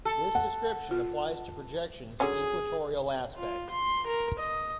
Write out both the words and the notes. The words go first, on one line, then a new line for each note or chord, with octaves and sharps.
This description applies to projections in equatorial aspect.
A4
F#5
F4
D3 F#3 C#4 G#4
F4
C6
A#4
D#5